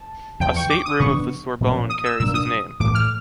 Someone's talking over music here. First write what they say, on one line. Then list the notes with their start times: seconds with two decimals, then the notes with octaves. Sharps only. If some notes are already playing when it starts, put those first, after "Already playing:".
A state room of the Sorbonne carries his name.
Already playing: A5
0.40 E2 C#3 F3 G5
0.56 C#6
0.70 D6
0.85 D#6
1.00 C#3 F#3 B3 D4 C#6
1.60 A#2 F3 A#3 C#4
1.90 D#6
2.05 E6
2.20 B2 F#3 A#3 D4 E6
2.34 D#6
2.80 A2 E3 A3 D6
2.95 F6